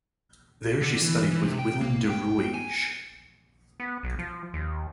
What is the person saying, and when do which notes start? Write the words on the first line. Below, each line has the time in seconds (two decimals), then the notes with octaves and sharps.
There she studied with Willem de Rooij.
0.81 D3
1.02 E3
1.31 E3
1.45 C3
1.59 G5
1.81 A#3
2.10 G5
2.54 G#5
3.80 B3
4.03 B1
4.19 F3
4.54 D#2